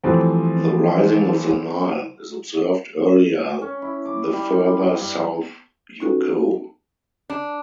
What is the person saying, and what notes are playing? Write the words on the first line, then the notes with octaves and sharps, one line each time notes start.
The rising of the Nile is observed earlier the further south you go.
E3 F3 G3 A3 C4
C#4
E4
D6
G3
C6
G2
C#4 D#4 F#4 G4 A4 B4
D4